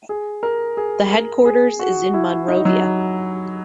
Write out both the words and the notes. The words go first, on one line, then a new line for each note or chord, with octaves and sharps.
The headquarters is in Monrovia.
G#4
A#4
G#4
A#4
G#4
F#4
E4
D#4
F#3